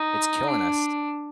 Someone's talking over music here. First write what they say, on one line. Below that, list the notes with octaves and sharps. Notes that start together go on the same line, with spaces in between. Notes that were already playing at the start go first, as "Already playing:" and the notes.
It's killing us.
Already playing: D#4
D4